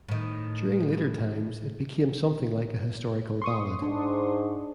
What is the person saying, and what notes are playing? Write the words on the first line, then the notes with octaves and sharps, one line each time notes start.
During later times, it became something like a historical ballad.
A2 D#3
C6 C#6 D#6
G#2 D4